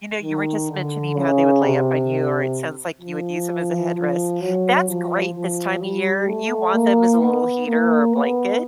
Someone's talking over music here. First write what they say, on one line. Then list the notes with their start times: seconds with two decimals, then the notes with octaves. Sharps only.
You know, you were just mentioning how they would lay up on you, or it sounds like you would use 'em as a headrest. That's great this time of year, you want them as a little heater or a blanket
0.23 D#3
0.69 D3
1.15 C#3
1.62 C3
3.01 F3
3.95 F3
4.40 F#3
4.87 F3
5.33 F3
5.81 G3
6.26 A3
6.73 A#3
7.20 B3
7.66 A#3
8.13 B3